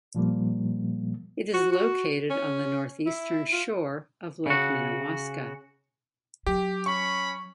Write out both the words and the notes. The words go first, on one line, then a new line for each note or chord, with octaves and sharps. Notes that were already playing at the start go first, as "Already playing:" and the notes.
It is located on the northeastern shore of Lake Minnewaska.
A#2 F3 G3 A#3
F#4
F#4
C#4
E4
F4
C#3 F#4
F#3 G4
C#4 B5 C#6